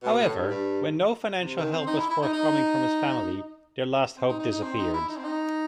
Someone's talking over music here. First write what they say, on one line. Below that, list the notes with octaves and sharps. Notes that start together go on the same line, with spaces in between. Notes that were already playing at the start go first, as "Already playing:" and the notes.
However, when no financial help was forthcoming from his family, their last hope disappeared.
B2
A2
G2
G2
C3
D#3
C4
D#4
E4
E4
D#4
D#4
C4
D#4
D#4
D#4
C4
D#4
E4
D#4
C4
D#4